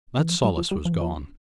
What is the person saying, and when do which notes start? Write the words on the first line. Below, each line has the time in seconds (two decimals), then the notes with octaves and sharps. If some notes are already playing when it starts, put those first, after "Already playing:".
That solace was gone.
0.19 E3
0.30 F3
0.44 G3
0.57 F3
0.71 G3
0.85 F3
0.92 E3
1.01 F3